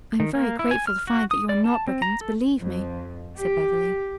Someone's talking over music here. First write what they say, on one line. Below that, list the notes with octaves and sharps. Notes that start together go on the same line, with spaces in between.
"I am very grateful to find that you are not brigands, believe me," said Beverly.
D#3
A#3
E4
G#5
F6
F#4
D#6
D5
A5
C4
A#5
A4
F2
G4